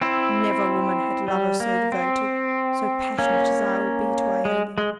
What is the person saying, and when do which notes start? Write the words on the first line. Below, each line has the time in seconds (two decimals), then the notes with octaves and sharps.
Never woman had lover so devoted--so passionate as I will be to Ione.
0.01 C4 E4
1.28 G3
1.60 A#3
1.92 C4
3.19 A#3 C#4
4.45 G#3
4.78 G#3